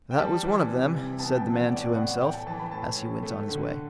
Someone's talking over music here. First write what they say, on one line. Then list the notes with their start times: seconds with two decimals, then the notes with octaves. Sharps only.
'That was one of them', said the man to himself, as he went on his way.
0.11 G5
0.18 G3 A5
0.44 E3
0.69 C3
0.94 C3
1.20 B3 A5
1.32 G5
1.37 A5
1.45 E3
1.54 F#5
1.70 A2 D5
1.83 D5
1.95 A2 F#5
2.09 F#5
2.21 A3 G5
2.34 A5
2.46 E3 A5
2.59 B5
2.71 A2 A5
2.97 A2
3.23 A3
3.48 D3